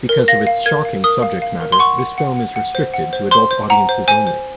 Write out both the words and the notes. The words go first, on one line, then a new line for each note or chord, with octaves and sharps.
Because of its shocking subject matter, this film is restricted to adult audiences only.
A#4
F5 A#6
F5
A#4 G#6
F5
A#4 D#6
F5
F5
A#4
C6
F#5 C#6
F#5
F#5
F#5
F#5
C5
F#5
C5
C5 C6
C5
F#5 A#5
C5
C5 G#5
C5